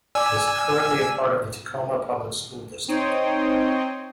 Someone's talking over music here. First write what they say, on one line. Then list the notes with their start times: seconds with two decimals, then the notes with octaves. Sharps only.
It is currently a part of the Tacoma Public School District.
0.15 D5 G#5 D6 E6
2.88 C4 D#4 C#5 G5 C6 D#6